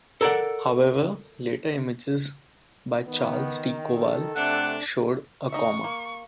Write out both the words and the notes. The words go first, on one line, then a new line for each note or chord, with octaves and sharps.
However, later images by Charles T. Kowal showed a coma.
A4 A#4 C#5 D5 F#5
D#3 B3
A4
C3 A3 D4 F#5
D#4 D#5 E5 C#6
A#3